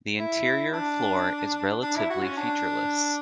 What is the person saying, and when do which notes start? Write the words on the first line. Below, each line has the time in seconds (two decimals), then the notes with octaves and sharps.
The interior floor is relatively featureless.
0.18 E4
0.73 D4
1.82 D4
1.96 E4
2.10 F#4
2.23 C#4
2.37 D4